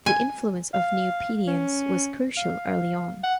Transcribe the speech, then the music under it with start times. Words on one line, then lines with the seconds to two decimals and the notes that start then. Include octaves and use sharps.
The influence of Nupedians was crucial early on.
0.06 G#5
0.74 F5
1.48 C#4
2.37 F5
3.24 F#5